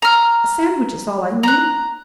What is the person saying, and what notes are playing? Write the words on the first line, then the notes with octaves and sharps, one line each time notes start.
A sandwich is all I need.
A#5 F6
A#5 F#6